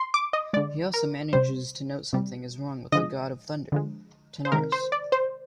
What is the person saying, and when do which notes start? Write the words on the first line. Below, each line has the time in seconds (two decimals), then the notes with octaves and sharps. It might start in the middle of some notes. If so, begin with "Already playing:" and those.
He also manages to note something is wrong with the God of Thunder, Tanarus.
Already playing: C6
0.14 D6
0.33 D#5
0.53 D3 G#3 D5
0.94 A#4
1.33 C3 G3 C5
2.13 C3 G3
2.92 D3 F3 G#3 D#5
3.72 D3 F3 G#3
4.45 C5
4.52 C3 D#3 G#3 A#4
4.72 C5
4.92 D5
5.12 C5